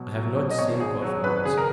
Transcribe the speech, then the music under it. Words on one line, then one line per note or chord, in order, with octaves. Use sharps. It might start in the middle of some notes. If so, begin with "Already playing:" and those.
"I have not seen Gore for months."
Already playing: B2 F#3
F#3
B2
D#5
G#1 C#5
G#1 G#4
F#3
G#1 B4
C#3 G#4
A#4